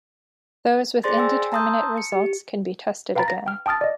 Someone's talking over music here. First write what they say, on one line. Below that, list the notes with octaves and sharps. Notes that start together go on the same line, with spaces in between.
Those with indeterminate results can be tested again.
G#4 C5 D5 C6 A6 A#6
G5 G#5 E6
A5 A#5 C6 D#6 E6 G6
C#7
G4
B4 F5 G5 A#5 B5 A6
A#6
G5 F6
G5 A5 D#6 F6 A6
D5 D#5